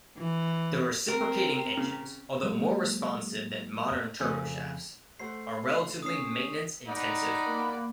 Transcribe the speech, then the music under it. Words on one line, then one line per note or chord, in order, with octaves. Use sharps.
The reciprocating engines, although more responsive than modern turboshafts, are relatively maintenance intensive.
E3
C4 A#4
C#3
F#3 G#3 A#3
F2 C#3 A3
A3 C5 F#5 C7
C#4 D#6 C7
D#4 D5 F#5 B5
A#3